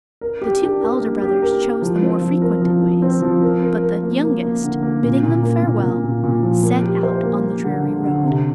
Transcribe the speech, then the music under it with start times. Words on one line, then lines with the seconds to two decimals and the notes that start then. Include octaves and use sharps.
The two elder brothers chose the more frequented ways, but the youngest, bidding them farewell, set out on the dreary road.
0.21 A#4
0.42 G4
0.62 D4
0.81 A#4
1.01 A#3
1.22 G4
1.42 A#4
1.62 A#4
1.82 F3
2.02 C4
2.22 F3
2.42 A#4
2.62 F3
2.82 F3
3.02 C4
3.22 F3
3.42 A#4
3.62 A#4
3.83 A#4
4.03 A#3
4.23 A#3
4.43 A#3
4.63 D3
4.83 A#3
5.03 A#2
5.23 A#2
5.43 A#3
5.63 A#2
5.83 A#2
6.03 A#2
6.23 A#2
6.43 F3
6.63 A#3
6.83 G4
7.03 C5
7.23 A#3
7.43 A#3
7.64 D3
7.83 D3
8.04 D3
8.23 C3